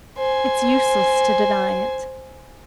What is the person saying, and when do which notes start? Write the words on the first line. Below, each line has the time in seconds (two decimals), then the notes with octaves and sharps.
It's useless to deny it.
0.18 C5 G#5